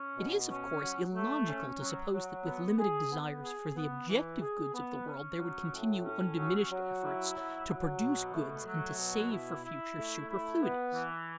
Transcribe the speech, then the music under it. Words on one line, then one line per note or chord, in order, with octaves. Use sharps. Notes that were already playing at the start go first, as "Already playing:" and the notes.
It is, of course, illogical to suppose that with limited desires for the objective goods of the world there would continue undiminished efforts to produce goods and to save for future superfluities.
Already playing: C#4
B2
C#4
F#3
A3
C#4
F#3
F#3
B3
G#4
B3
G#4
B3
E3
G#4
B3
C#4
F#3
A2
C#4
F#3
F#3
E4
F#3
F#3
B2
A3
F#3
B2
E4
E4
A3
E4
B3
E3